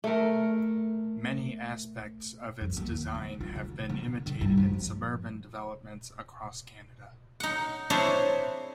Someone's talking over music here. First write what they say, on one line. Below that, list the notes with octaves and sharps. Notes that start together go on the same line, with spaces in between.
Many aspects of its design have been imitated in suburban developments across Canada.
A3 A#4
F2
D#2
D3
F4
D3
D3
D3
G2
F3
D#4 F#5
C4 D4 E4 G#4 C5 C#5